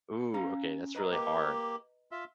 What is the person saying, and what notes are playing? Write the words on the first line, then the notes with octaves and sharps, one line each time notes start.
Ooh, okay, that's really hard.
C#4 F5 A#5
B4 D#5 A#5
A#3 G4
F4 E5